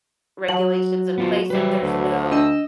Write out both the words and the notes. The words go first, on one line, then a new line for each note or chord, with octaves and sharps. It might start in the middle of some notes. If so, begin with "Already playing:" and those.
regulations in place if there's no,
F#3 F#7
B3 F4 C5
G3 B4 C5 E5
D2
D4 D#5 E6